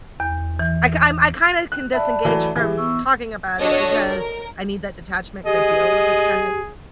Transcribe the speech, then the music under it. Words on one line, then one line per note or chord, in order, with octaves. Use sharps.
I kin I'm I kinda can disengage from talking about it because I need that detachment, 'cause I deal with this kinda
E2
E3
F#6
D5 E5 A5 B5
E3 F#3 A3
E3 E4 G4 G#4
B3 C#6 E6
D4 F#4 A4 C#5 D#5
A#4
G4 G#4 D#5